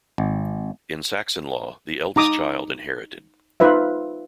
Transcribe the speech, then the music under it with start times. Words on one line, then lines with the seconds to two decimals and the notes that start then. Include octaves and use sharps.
In Saxon law, the eldest child inherited.
0.18 G#1
2.16 D#4 A#5 D6 D#6
3.60 D#4 F4 B4 C5 E5